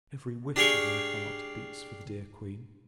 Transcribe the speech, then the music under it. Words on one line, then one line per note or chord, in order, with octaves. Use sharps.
Every wish of my heart beats for the dear Queen.
D4 G4 G#4 F5 G5 C#6